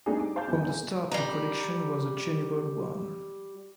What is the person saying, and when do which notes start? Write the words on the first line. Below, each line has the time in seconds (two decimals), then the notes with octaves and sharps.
From the start the collection was a general one.
0.06 G3 A3 C4 D4 D#4 G#4
0.20 D6
0.36 G#4 C5 F5 A5 D6 G6
0.48 G1 E2
1.12 G3 A#5